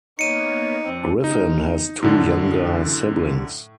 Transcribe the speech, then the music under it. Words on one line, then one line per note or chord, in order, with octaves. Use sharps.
Griffin has two younger siblings.
A#3 B3 D#4 C#5 C#7 D#7
F2 C4 D4
D#4
F#2 A2 D3 A4